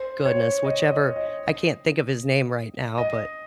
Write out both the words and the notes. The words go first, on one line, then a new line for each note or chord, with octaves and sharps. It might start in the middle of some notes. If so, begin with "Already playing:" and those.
goodness, whichever, I can't think of his name right now, but
Already playing: C5
C#5
D#5
D#5
D#5
D#5